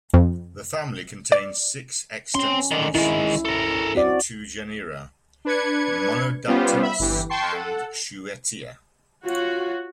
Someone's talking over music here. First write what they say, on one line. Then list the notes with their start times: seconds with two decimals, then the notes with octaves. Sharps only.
The family contains six extant species in two genera, "Monodactylus" and "Schuettea".
0.14 F2
1.32 D5
2.35 C4 C#4 C6
2.71 D3 D#3
2.95 D#3 G#3 E4
3.45 A4 A#4
3.95 C4 F#4 D5
5.45 D4 B4 G#6 C#7
6.47 G3 B3 C#4 F4 G4 C5
6.82 E5 B5
6.99 G1 E3 G4
7.29 G5 A5 C6 C#6 C7
7.52 A4 F#5
9.25 F4 F#4 C#5